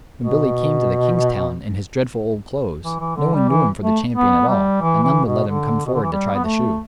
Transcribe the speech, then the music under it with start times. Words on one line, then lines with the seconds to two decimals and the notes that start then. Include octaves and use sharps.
When Billy came to the king's town, in his dreadful old clothes, no one knew him for the champion at all, and none would let him come forward to try the shoe.
0.20 B2
2.84 E3
3.00 E3
3.16 D3
3.33 G3
3.49 E3
3.82 A3
4.15 B3
4.48 G3
4.81 E3
5.03 E3
5.24 B2
5.47 D3
5.86 B2
5.94 D3
6.03 E3
6.12 G3
6.34 B3
6.45 A3